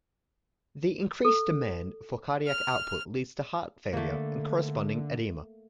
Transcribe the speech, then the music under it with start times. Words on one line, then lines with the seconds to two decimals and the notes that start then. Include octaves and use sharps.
The increased demand for cardiac output leads to heart failure, and corresponding edema.
1.25 A4
2.47 F6
3.93 D3 A3 A#3